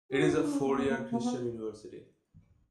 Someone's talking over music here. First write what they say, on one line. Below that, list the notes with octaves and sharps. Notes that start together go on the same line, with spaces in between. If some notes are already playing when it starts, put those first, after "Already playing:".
It is a four-year Christian university.
G4
F#4
F4
E4
D4
C#4
B3
B3
A#3
A#3
B3